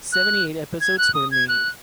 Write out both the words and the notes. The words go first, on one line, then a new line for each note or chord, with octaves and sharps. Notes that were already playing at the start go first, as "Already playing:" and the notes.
Seventy-eight episodes were made.
F#6
G#6
F#6
D#6
G#6
F#6